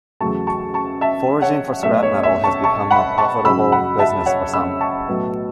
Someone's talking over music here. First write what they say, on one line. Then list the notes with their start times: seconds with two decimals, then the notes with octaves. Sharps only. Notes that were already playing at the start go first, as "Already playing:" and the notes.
Foraging for scrap metal has become a profitable business for some.
0.20 E2 C#3 F#3 A3 A5 C#6
0.47 A5 C#6
0.74 A5 C#6
1.01 E5 A5
1.42 C#5 F#5
1.83 B1 B2 A3 E5
2.03 C#5
2.23 E5
2.44 A5 C#6
2.64 A5 C#6
2.91 F#5 B5
3.18 A5 C#6
3.45 F#1 F#2 F#3 B5 E6
3.72 F#5 B5
3.99 E5 A5
4.26 C#5 F#5
4.54 B5 E6
4.81 A5 C#6
5.08 B1 A2 F#3 B3